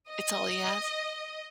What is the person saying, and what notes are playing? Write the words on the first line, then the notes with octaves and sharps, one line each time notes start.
It's all he has.
D#5